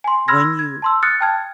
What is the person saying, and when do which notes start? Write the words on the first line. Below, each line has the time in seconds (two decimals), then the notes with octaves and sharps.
when you
0.04 G#5 C6
0.28 B5 C6 E6 F6 G#6 A#6
0.59 G#6
0.82 A5 C6 E6
1.03 D#6 F6 F#6 A6 C#7
1.20 G5 A5 F6 G#6